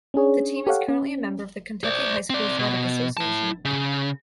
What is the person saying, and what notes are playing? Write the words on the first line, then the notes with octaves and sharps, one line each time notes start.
The team is currently a member of the Kentucky High School Athletic Association.
C#4 D4 G#4 C#5
G4 A4 C#5 F5 F#5
C#4
C5 D5
C4 D5
B2
E4 A5
C#3